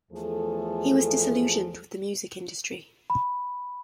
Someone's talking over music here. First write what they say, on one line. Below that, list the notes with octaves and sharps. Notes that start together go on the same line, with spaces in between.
He was disillusioned with the music industry.
E2 F3 A3 G#4 A4
B5